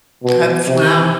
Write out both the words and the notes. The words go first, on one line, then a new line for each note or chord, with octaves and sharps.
That's wow.
B2
C3